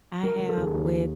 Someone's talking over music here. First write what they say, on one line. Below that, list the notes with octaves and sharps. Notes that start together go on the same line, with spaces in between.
I have with
F#3 A#4
F#3 A#4
A4
D#2 G#4
D#2